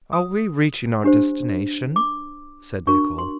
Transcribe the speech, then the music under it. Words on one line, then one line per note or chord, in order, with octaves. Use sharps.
"Are we reaching our destination?" said Nicholl.
D#6
D4 G4 C5
D6
D4 F#4 A#4 C#6
C6